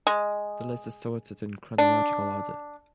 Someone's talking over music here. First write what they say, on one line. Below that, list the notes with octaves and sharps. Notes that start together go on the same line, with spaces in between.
The list is sorted in chronological order.
G#3
D4